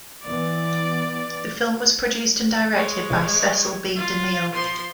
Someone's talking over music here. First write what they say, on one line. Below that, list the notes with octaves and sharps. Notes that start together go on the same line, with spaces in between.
The film was produced and directed by Cecil B. DeMille.
E3 B3 D5
G#3 C#5
F4
F3 C6